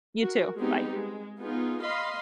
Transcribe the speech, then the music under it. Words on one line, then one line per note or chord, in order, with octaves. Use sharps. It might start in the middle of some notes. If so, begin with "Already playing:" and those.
You, too. Bye.
F#4 A#4
G3 G#3 B3 C4 D#4 G4
G#3
B3 D#4 F4 G#4
D#5 F5 B5 C6